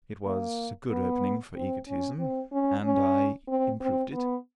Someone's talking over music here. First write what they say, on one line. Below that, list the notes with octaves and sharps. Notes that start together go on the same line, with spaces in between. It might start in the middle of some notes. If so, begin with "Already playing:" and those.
It was a good opening for egotism, and I improved it.
A#3
B3
C4
C#4
C4
C#4
C#4
C4
C4
B3